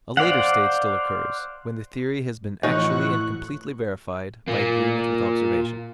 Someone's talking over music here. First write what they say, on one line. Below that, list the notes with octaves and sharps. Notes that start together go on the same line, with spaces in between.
A later stage still occurs when the theory has been actually and completely verified by agreement with observation.
C5 D5 F5 F#5
A2 E3 F3 D#4 F#4 C#5 C#6 F#6
A#2 A#3